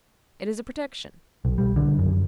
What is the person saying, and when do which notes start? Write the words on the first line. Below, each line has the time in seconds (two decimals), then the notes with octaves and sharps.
It is a protection.
1.45 B1
1.58 G3
1.76 D3
1.99 F#2